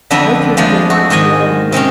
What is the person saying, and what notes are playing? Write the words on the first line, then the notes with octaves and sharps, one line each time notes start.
I hope you have a white wand.'
F2 D3 B3 D4 D#5 E5
F3 G#3 D4
F#4
G#2 D#3 D#5 G#5
C3 G#3 C4 C#4